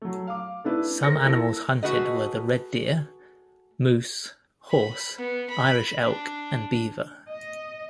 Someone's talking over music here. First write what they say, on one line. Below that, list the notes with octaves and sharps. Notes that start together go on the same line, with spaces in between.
Some animals hunted were the red deer, moose, horse, Irish elk and beaver.
F#3 A3
F5 D6
A3 D4 E4 B4
A#4 C5 A#6 C#7
A#3 E4 A4 E6 A#6
A3 F#4 G#4 B4 D#5
B5
B3
B5
D4
D#5